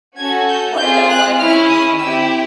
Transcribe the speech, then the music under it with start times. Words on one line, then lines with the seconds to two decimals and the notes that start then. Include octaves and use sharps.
what the Hawaiian foods were, and,
0.18 C#4 F#4 A4 G#6
0.48 G6
0.79 C4 F4 G#4 G6
1.09 F#6
1.38 C#4 E4 G#4 F6
1.69 D#6
1.99 C4 E4 G4 E6